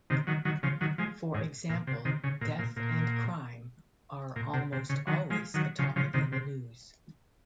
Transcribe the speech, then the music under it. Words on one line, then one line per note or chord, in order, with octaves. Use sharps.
For example: death and crime are almost always a topic in the news.
C3 D#3
D#3 F#3
D#3 F#3
C#3 F3
D#3 F#3
F3 G#3
G#2
A#2
C3
C3 D#3
C#3
A#2
A#2
A#2
A#2
C3
C3
C#3
D#3 F#3
F3 G#3
D#3 F#3
C#3 F3
C#3 F3
C3 D#3
C3